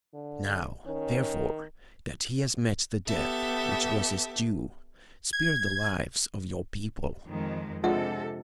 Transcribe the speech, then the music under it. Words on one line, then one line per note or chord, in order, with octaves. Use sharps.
Now, therefore, that he has met the death which was his due, spare the lives of your people.
D3
D#3 C#4
B3 G4 A4 E5
G#6
F2 D#3 G#3
C3 F3 G#3 D4 F4 A4 E5 F#5